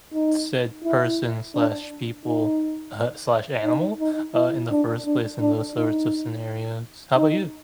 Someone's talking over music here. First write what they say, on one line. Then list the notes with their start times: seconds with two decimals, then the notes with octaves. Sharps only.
said person/people, uh, /animal, uh, in the first place in those sorts of scenarios. How 'bout you?
0.14 D#4
0.84 E4
1.54 D4
2.25 D#4
3.64 D#4
4.00 D#4
4.35 E4
4.71 D4
5.06 D4
5.40 D4
5.76 D#4
7.16 D#4